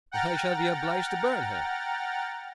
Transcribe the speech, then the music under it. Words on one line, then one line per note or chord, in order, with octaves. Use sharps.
"But I shall be obliged to burn her."
F#5 G5 A#5 F6 A6